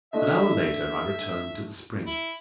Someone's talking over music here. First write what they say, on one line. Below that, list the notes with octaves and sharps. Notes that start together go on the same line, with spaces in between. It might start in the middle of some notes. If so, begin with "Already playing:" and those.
An hour later I returned to the spring.
A3 D4 D#5 E5
E4